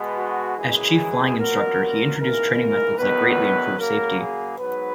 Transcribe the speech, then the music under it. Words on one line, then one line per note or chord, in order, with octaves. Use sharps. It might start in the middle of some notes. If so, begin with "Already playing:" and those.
As Chief Flying Instructor he introduced training methods that greatly improved safety.
Already playing: B2 G#3 B3
F#4
F#2 E3 G#3 G#4
A#2 F#3 B3 A#4
G#2 E3 A#3 A#4
E2 D#3 F#3 B3 B4
C#3 F#3 A#3 A#4
G#4
G#2 F#3 B3 B4